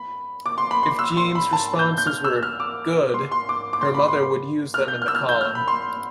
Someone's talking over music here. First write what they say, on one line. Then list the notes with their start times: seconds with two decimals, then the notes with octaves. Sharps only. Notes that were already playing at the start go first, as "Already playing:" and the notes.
If Jeanne's responses were "good", her mother would use them in the column.
Already playing: B5
0.46 D6
0.58 C6
0.71 B5
0.83 C6
0.99 E6
1.17 C6
1.35 B5
1.53 A5
1.79 G6
1.98 G6
2.07 F6
2.24 E6
2.43 F6
2.60 D6
3.14 C6
3.32 C6
3.49 D6
3.73 D6
3.81 C6
3.95 B5
4.08 C6
4.74 F6
4.88 G6
5.02 F6
5.08 E6
5.15 F6
5.29 G6
5.41 F6
5.55 B5
5.68 C6